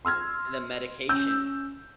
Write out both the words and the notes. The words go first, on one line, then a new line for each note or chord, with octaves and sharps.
And the medication.
C6 E6 F6 G#6
C#4 E6 G6